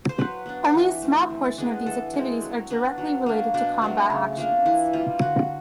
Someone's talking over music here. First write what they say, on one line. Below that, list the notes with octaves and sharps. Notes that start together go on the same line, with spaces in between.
Only a small portion of these activities are directly related to combat actions.
C5
F#3 B4
B3 D4
E3
A3 C4
E3
G#3 B3 D4
E3 A4
G#3 C4
F#3
B3 D4
F#3
A#3 D4
B2 D4
F#3 A3 C4
C#3
F3 A#3 D4
E3 E4
G3 A#3 F4
D3 F#4